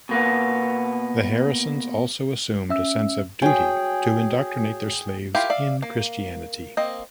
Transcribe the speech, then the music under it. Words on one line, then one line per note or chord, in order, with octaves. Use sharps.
The Harrisons also assumed a sense of duty to indoctrinate their slaves in Christianity.
B2 A#3 B3
C#4 E5 E6
F#4 G#4 C#5 G5 G#5
E4 F4 G4 A#4 F5
D5 E5 F5
A#3
A#3 C4 D#5